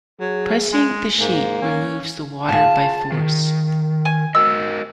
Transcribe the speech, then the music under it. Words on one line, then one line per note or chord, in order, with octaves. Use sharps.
Pressing the sheet removes the water by force.
F#3 G#4
G#3
G#2 A#3
C#4
F4 F#4 G#4 A5
D#3
G#5
F#4 A#4 D#5 E6